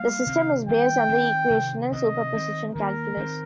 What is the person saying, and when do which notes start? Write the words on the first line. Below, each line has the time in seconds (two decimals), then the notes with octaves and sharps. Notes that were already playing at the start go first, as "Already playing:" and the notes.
The system is based on the equational superposition calculus.
Already playing: G3 A#3 F5
0.27 C3 D#3 C4
0.68 D#3 G3 C4 G5
1.09 D#3 C4
1.50 C3 D#3 C4
1.92 C3 D#3 C4 D#5
2.33 D#3 C4
2.75 D#3 A#3 A#4
3.17 D#3 C4